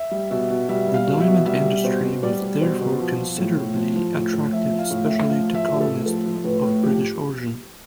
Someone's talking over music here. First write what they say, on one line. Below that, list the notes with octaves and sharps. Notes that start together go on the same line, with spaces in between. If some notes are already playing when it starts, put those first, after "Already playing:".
The diamond industry was therefore considerably attractive, especially to colonists of British origin.
Already playing: E5
G3
B2 E5
B2
G3 E5
G3
F5
B2
E5
B2
G3 E5
G3
B2 C5
B2
G3 D5
G3
B2 C5
B2
F3
F3
A2
A2
F3
F3
A2
A2
F3 E5
F3
F5
A2
E5
A2
F3 F5
F3
E5
A2
G4
A4
A2
F3 A4
F3
A2 B4
A2
F3 G4